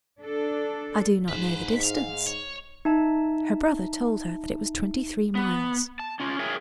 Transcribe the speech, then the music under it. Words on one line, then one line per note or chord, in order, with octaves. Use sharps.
"I do not know the distance." Her brother told her that it was twenty-three miles.
D4 A4
G#2 B4 C5
F5
C#5
D#4 E5 A5
B3
A5
C#4 F4
G#4 A#4 C#5 E5 G5 G#5